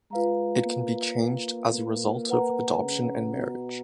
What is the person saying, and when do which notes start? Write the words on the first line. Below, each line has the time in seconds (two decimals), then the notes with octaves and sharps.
It can be changed as a result of adoption and marriage.
0.11 G#3 F4 B4 F5 A#5
0.65 A#3
1.74 A#3
2.29 B4 F#5 A#5
2.83 C#3
3.37 B2